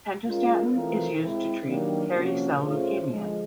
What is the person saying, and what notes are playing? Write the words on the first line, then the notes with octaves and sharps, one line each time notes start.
Pentostatin is used to treat hairy cell leukemia.
G#3 C#4 F4 A#4
E3 A3 C4 F4 A#4
G#3 C4 E4
D#3 F#3 A#3 D4 G4
C3 F3 A#3 C#4 F#4
A3 C#4 F4 G#4 C5
D3 F3 G#3